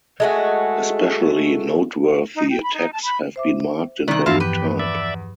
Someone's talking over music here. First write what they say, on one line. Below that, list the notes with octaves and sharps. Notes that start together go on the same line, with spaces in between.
Especially noteworthy attacks have been marked in bold type.
G#3 A3 F#4
D#4
G5
B5
D#4
A5
B5
C5 E5 D6
C3 D#3 D5 F#6
E2 G2 F3 C4 E4 F4 F5 A5
G4 B4
D5 E5